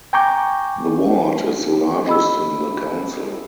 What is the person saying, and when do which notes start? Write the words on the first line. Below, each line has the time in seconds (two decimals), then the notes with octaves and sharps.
The ward is the largest in the council.
0.13 G5 G#5 A#5 C#6 D6 G6
2.07 D#5 B5 E6